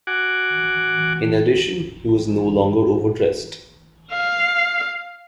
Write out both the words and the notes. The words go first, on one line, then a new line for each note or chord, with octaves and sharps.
In addition he was no longer overdressed.
F#4 F#5 G#5 D6
F5